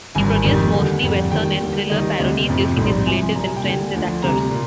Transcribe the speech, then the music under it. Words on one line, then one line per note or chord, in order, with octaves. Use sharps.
He produced mostly western and thriller parodies, using his relatives and friends as actors.
G#1 G2 D#3 G3 G#5
F2 D#3 G3
D#2 D3 G3
F2 D3 G3
D#2 D#3 G3 G5
D#2 D3 G3
D#2 D#3 G3 D#5
D2 C3 G3
F2 C3 F3
A#1 G#2 G3
C2 C3 F3 G#5
C2 A#2 G3 A#5
G#5
G5
D#2 D3 G3 G#5
D2 D3 F3
D2 C3 G3 A#5
A#2